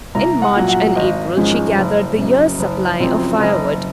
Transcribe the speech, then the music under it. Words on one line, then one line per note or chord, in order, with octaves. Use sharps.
In March and April she gathered the year's supply of firewood.
C2 A#5
F#5
A#2 F#3
F#5
G#1 D#5
G#2 F3 G#3 C#4
F#1
F#2 C#3
F#1
F#2 C#3 F3 C4
F#1 D#5